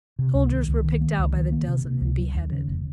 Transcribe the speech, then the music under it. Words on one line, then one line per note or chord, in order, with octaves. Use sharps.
Soldiers were picked out by the dozen and beheaded.
C3
C#2
D#3
C#2
D#3
A#3
C#2
D#3
A#3
C3
C3
C#2
F#3
D#2
C#3
F1